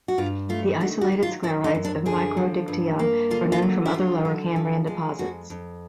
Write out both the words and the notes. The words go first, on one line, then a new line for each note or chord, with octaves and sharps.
The isolated sclerites of "Microdictyon" are known from other Lower Cambrian deposits.
F#4
G2 F4
A3 F4
D#3 F#4
F#4
F#3
F4
F#2 E4
D#4
F#2
D4
D3 G#4
F3
G2
A#3
D3 F4
F4
F#3
E4
D3 F4
D3
F3
G#3
F2 F#4
F2